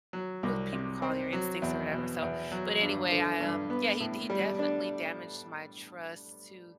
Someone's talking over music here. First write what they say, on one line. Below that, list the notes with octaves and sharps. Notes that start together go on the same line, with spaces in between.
what people call your instincts or whatever. So, but anyway, I, um, yeah, he he definitely damaged my trust to
F#3
C2
C3
C4
F#3
E2
B2
E2
F#3
G2
D3
G2
B3
A2
G3
D4